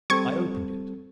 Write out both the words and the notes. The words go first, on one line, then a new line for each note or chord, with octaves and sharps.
I opened it.
G3 C4 A4 C#6 G#6